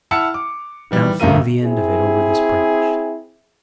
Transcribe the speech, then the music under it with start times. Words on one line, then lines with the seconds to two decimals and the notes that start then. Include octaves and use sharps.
Now fling the end of it over this branch.
0.11 E4 F#5 A5 E6 F6 C#7
0.34 D6
0.91 D#3 E3 G3
1.20 A#1 G2 A3 F4 A#4 D#7
1.63 C4 E4 G#4